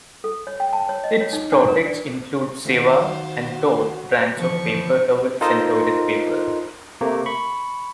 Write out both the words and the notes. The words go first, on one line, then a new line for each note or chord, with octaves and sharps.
Its products include "Zewa" and "Tork" brands of paper towels and toilet paper.
A4
C#5
G5
A5
C#5
D#5
C#5
D#4
D4
A#4
D5
D#3 A3 F#4 C5 F5
E2 D3 E3 F3 B4 C#6
D#4 F4 A4 A#4 C5 D#5
C3 A3 A#3
B5 C#6